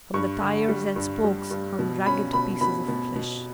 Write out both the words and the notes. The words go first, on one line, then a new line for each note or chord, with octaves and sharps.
From the tyres and spokes hung ragged pieces of flesh.
G2 C#6
D3
G3
G2
G3
G2
B2
C#4 B5
B2 B5
B2 B5
B2
B2